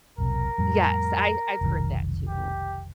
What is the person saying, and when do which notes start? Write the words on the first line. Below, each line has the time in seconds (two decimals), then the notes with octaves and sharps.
Yes, I I've heard that too.
0.18 E1 B1 C3 A#4
0.58 F2 A2 G3
1.61 F1 B1 D#3
2.28 G4